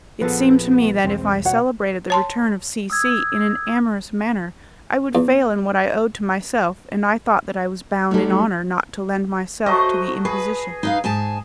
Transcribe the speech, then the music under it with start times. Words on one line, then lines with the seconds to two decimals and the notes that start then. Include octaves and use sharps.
It seemed to me that if I celebrated the return of C---- C---- in an amorous manner, I would fail in what I owed to myself, and I thought that I was bound in honour not to lend myself to the imposition.
0.21 A#1 F3 B3 G#4 A4 B4
0.56 B3
1.04 B1 E2 G#3 C4
1.45 B2 C#5 F#5
2.10 C#5 A5 C6
2.90 D#6 E6 G#6
5.15 E2
8.11 F#3 G3 A3 D#4 A4
9.66 F#3 A3 C5 D#5
10.25 G#4 B4
10.83 D#4 B4 F5
11.04 G#2 G#5 A5